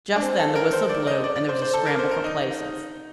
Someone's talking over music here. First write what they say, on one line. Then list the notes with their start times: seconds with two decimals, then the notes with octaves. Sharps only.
Just then the whistle blew, and there was a scramble for places.
0.16 D4
0.22 C4
0.39 A4
0.55 A#4
0.73 C5
0.89 D5
1.07 D#5
1.24 D5
1.36 D5
1.49 C5
1.62 C5
1.74 A4
1.86 A#4
1.99 C5
2.11 A#4
2.24 D#4